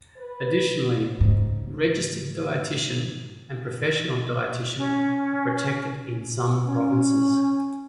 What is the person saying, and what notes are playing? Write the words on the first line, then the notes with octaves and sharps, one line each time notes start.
Additionally, 'Registered Dietitian' and 'Professional Dietitian' are protected in some provinces.
B4
G#2 C#3
C#4
C#4